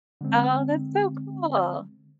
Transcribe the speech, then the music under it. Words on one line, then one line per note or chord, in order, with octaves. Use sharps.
Oh, that's so cool.
D3 G#3 C4